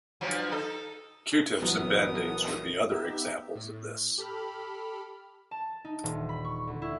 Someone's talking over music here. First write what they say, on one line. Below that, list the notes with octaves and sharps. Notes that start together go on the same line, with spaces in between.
Q-tips and band-aids would be other examples of this.
G2 F3 F#3
D#4 A4
A#1 E3 F#3 B3 A#4 D#6
B3 D#4 G4 E5
A2
G4 A4 B5 F6
A5
D#4
D#1
B5
C#6
D2
E4